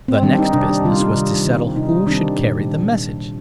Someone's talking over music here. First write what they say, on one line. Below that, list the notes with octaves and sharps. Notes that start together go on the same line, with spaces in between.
The next business was to settle who should carry the message.
C4
D#3 G3 C4 D4
D#4
C3 D4
D4
D#3 G3 C4 F4
D#4
C3
D#3 G3 C4
C3 D#4
D#3 G3 C4 D4
A#2